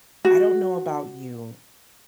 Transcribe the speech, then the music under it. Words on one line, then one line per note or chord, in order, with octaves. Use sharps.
I don't know about you,
F#4